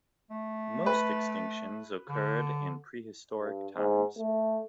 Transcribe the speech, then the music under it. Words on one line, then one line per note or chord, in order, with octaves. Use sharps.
Most extinctions occurred in prehistoric times.
A3
B4
D3
G2
G#2
A3